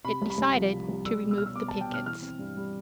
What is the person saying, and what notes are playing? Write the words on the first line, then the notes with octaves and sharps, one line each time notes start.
It decided to remove the pickets.
C3 B5
C2
B5
C2
F3
C3
C2
G3 E6
B2
E6
B2 F6
E6
B3 D6
A5
G3
G5
B2 F6
E3 F6
C4
G2
G3